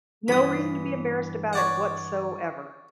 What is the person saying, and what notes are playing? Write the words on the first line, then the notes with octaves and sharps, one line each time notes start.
No reason to be embarrassed about it, whatsoever.
G2 E3 B5 D#6
C#5 D5 F#5